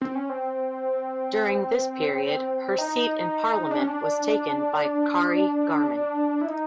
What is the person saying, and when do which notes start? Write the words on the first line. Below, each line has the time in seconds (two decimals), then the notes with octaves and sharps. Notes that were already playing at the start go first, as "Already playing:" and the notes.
During this period her seat in parliament was taken by Kari Garmann.
0.01 C4
0.15 C#4
0.30 C4
2.78 D#4
3.71 D4
3.79 C#4
3.87 D4
6.41 E4
6.48 D#4